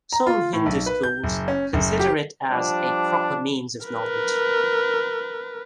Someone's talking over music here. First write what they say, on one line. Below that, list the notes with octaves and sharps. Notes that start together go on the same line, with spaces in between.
Some Hindu schools consider it as a proper means of knowledge.
A#5
F4
A2
B1
B4
G6
F#1
C#4
F#1
G4
F3 G3 D4
A#4 B4